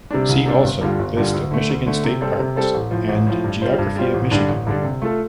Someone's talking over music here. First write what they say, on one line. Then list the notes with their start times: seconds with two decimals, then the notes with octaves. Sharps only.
"See also" List of Michigan state parks and geography of Michigan.
0.11 C3 G3 D4
0.29 C2
0.46 C3 G3 D4
0.64 G1
0.81 G2 D3 G3 F4
0.99 G1
1.17 G2 D3 G3 F4
1.33 D2
1.51 D3 A3
1.69 D2
1.86 D3 A3
2.04 C3
2.21 G3 C4 A4 C5
2.39 C3
2.56 G3 C4 A4 C5
2.74 A1
2.91 A2 F3
3.08 A1
3.27 A2 F3
3.44 G2
3.61 G3 F4 C5
3.78 G2
3.96 G3 F4 C5
4.14 A1
4.31 G2 D3 G3 D4
4.48 A1
4.67 G2 D3 G3 D4
4.83 C3
5.02 A3 F4 A4